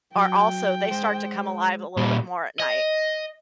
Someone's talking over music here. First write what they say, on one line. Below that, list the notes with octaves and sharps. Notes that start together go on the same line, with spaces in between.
are also they start to come alive a little bit more at night.
F#3 G5
G#3 C5
A#2 G3
D#5